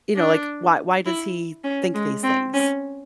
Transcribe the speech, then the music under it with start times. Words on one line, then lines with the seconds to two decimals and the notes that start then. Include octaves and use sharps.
you know, like, why why does he think these things.
0.16 D4
1.06 E4
1.64 C#4
1.94 G#3
2.23 C4
2.54 C#4